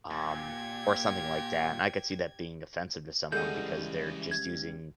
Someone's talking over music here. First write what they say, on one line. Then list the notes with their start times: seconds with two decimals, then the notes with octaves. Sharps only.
um, or something like that, and I could see that being offensive to someone because they're just using
0.10 A#2 G4 G#6
3.32 C#2 E3 G3 G#4 A4 D#5 F#5 G6
4.31 G#6